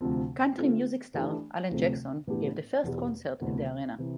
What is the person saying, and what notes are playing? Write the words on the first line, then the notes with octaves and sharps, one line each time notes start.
Country music star Alan Jackson gave the first concert at the arena.
D2 C3 F3 C4
D3 A3 C4 F4
E3 A3 D4 G4
D2 C3 F3 A3 C4
A2 E3 B3 D4 G4
E2 B2 B3 E4 G4
D2 C3 E3 B3
C3 E3